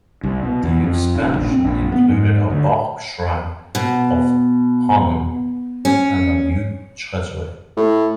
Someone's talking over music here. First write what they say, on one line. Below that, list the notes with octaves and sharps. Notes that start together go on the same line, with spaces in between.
The expansion included a barque shrine of Amun and a new treasury.
C2
B2
E2
F2
D#1
A#1
C4
A#1
B3
G#2
D2
B2
C#4
A2